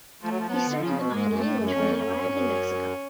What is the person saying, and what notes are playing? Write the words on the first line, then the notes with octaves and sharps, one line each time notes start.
He studied the Mayan language when he arrived in Mexico.
F3 A3
F#3
F3
F#3
F3 B3
D3
C#3 F3
B2
G#2 G#3
F#2
A2 A3
F#2
F2 C#4
F#2 C#4
F2
F#2
G#2
F#2